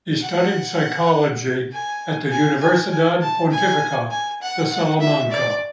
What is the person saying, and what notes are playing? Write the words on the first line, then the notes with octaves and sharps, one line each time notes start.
He studied psychology at the Universidad Pontificia de Salamanca.
F#5
G#5
G#5
G#5
G#5
A5
G#5
G#5
F#5
F#5
E5
D5